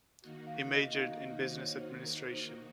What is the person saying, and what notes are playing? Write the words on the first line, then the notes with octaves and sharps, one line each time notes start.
He majored in business administration.
D#3 A#3 D#4 F#4
F5
D#5
D#5
F5
D#5
C5
C#5
C5
A#4
A#4
C5